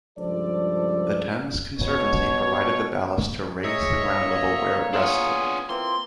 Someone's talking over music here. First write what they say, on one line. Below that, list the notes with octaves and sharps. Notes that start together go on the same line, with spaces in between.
The Thames Conservancy provided the ballast to raise the ground level where it rested.
C#2 G2 F3 A4 C5 D5
B2 C#5
G#3 C#5 D#5 E5 A#5
A#3
B3 D4 F4 G#4 C#5
E3 A#3 C4 F4 C6